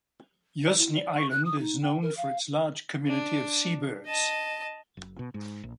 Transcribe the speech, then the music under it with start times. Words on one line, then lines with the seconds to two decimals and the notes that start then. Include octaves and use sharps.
Yuzhny island is known for its large community of sea birds.
0.66 D5
0.78 E4
0.95 D5
1.17 C#6
1.30 F#6
1.45 D#6
1.59 D#4
1.82 G5
2.02 A#4
2.17 F5
3.07 D4
4.07 D#5 A5
4.97 F#1
5.19 B2
5.34 G#2
5.64 A#1